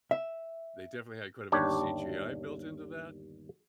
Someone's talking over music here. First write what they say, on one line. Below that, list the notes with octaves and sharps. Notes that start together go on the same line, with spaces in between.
they definitely had quite a bit of CGI built into that,
E5
G1 D#2 D4 G4 C#5